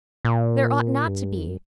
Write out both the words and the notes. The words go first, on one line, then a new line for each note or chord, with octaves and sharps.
There ought not to be.
A#2
G2
F#2
E2
F#2